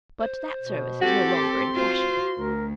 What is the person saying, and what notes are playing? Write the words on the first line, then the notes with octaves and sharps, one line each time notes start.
But that service is no longer in fashion.
C5
B2
C4 F#4 G4 A4
C6 D6
F4 F#4 C5
D2 A#4